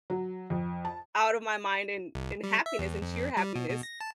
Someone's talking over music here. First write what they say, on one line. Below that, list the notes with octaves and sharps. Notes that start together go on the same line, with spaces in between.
out of my mind, and and happiness, and sheer happiness.
F#3
F2
A5
C2
G3
E5
E2
F2
F2
G3
B2
B2
A#6
A5